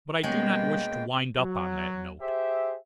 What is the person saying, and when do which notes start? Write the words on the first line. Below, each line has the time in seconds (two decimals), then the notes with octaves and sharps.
But I do not wish to wind up on that note.
0.23 B2 G3 G#3 A#3 B3 C#4 G5
1.39 F#3
2.21 G4 G#4 C5 E5